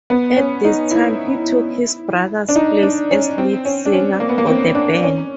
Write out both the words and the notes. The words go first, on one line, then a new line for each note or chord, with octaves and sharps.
At this time, he took his brother's place as lead singer for the band.
B3
C#4
D#4
E4
D4
D#4
D4
C#4
C4
C#4
D4
C#4
A#3
B3
A#3
C4
D4
C#4